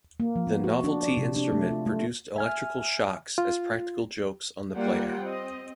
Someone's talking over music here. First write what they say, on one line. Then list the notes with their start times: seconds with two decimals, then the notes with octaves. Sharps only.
The novelty instrument produced electrical shocks as practical jokes on the player.
0.20 A#3
0.36 F3
0.47 B3
0.64 F#4
0.84 D4
1.03 D5
1.17 C3
1.36 D4
1.52 A3
1.71 F4
1.86 A3
2.36 E5 G#5 F6
3.38 F4
4.76 G3 A#3 F4 D5 F#5 G5
5.22 C4 D#5